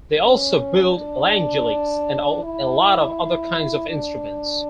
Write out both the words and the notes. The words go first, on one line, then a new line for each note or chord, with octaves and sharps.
They also build langeleiks and a lot of other kinds of instruments.
C#4
D4
E4
D4